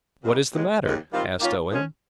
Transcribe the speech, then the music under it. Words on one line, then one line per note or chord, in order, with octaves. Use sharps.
"What is the matter?" asked Owen.
A#2 G3 C4 D#4
D#2 C#3 G#3
D#2 C#3 G#3
D#3 G3 C4 F4
D#3 A#3 C#4 F4
A#2 F3 G#3 C#4